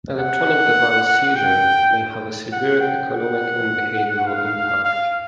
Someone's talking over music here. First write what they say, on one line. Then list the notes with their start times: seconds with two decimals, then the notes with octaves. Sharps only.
Electronic device seizure may have a severe economic and behavioral impact.
0.19 F#5
1.36 G5
2.52 F#5
2.81 G5
3.11 F#5
4.27 F5
4.85 F5